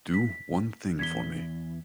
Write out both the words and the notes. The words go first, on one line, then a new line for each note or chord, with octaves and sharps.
Do one thing for me.
B6
E2 G#6 B6 G7